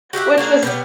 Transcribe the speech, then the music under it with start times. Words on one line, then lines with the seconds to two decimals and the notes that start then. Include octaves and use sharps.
which was
0.13 F#4 G4 E5 F#5
0.38 A#3 F#4 G#4
0.63 B2 G3 B3